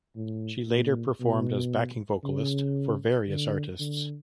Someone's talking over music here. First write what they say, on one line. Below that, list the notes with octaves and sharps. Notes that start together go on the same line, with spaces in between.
She later performed as backing vocalist for various artists.
A2
A#2
B2
C#3
D3
D3